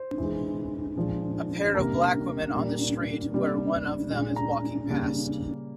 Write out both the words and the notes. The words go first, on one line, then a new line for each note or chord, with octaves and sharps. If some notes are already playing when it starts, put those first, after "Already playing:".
A pair of black women on the street where one of them is walking past.
Already playing: C5
E3 G#3
A#2 F3 G#3
C3 G3 A#3 A#4
A#2 G3 A#3
C3 G3 A#3
A#2 G#3
A#5
C#3 G3 A#3